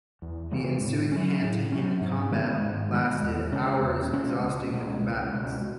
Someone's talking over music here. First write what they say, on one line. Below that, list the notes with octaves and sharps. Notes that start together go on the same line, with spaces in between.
The ensuing hand-to-hand combat lasted hours, exhausting the combatants.
E2
C#3 E3 G#3
A2
F#3 C#4
A2
F#3 C#4
G#2
D#3 G#3 B3
G#2
D#3 G#3 B3
E2
C#3 G#3 C#4
E2
C#3 G#3 C#4
C#2
B2 G#3 C#4
C#2
B2 G#3 C#4
B2